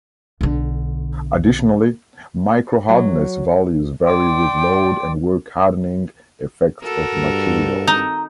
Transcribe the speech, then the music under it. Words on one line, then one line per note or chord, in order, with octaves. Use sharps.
Additionally, microhardness values vary with load and work-hardening effects of materials.
B1 D3
F#3
D5 G5 C6 D6
F#4 A4 A#4
G2
D#4